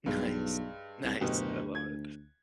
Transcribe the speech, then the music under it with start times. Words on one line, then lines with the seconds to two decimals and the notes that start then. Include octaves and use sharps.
Nice, nice, I love it.
0.06 B1 G2 G#3
1.03 C2
1.21 F#1 D2 B2 G4
1.75 G#6